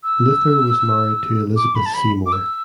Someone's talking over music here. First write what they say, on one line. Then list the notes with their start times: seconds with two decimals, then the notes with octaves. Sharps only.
Luther was married to Elizabeth Seymore.
0.03 E6
1.56 D6
1.75 B5
1.86 A5
1.94 B5
2.26 D6
2.32 E6